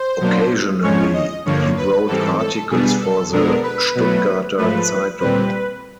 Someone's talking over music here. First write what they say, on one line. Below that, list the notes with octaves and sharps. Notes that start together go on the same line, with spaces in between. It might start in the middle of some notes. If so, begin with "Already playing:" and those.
Occasionally, he wrote articles for the "Stuttgarter Zeitung".
Already playing: C5
B2 F#3 A#3 D4
G#2 F3 G#3 C#4 C#5
D#5
G2 D3 F3 A#3 C#5
B4
G#2 E3 G3 C4 A4
A4
B2 G3 B3 D4 G#4
A4
B2 G#3 B3 D4 A#4
B4
B2 F#3 A3
G#2 F3 A3 B4
A#2 G3 C4 B4